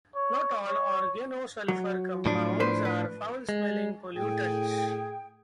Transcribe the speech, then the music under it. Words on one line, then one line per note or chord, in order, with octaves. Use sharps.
Not all organosulfur compounds are foul-smelling pollutants.
C#5
C#5
F#3
A2 F3 D4
B4 C5
B4
G#3
A2 G#4 G5